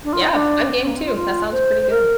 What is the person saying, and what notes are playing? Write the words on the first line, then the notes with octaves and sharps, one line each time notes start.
Yeah, I'm game too. That sounds pretty good.
D4
F4
D#4
D4
C4
A#3
C4
F4
F4
C5
C5
A#4